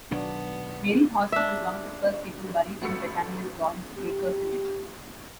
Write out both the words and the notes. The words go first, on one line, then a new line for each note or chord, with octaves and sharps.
Mary Hauser was one of the first people buried in Bethania's God's Acre cemetery.
B1 D#3 F#3 B3 D4
D4 E5
A1 A3 F#4 B5 E6 C#7
G4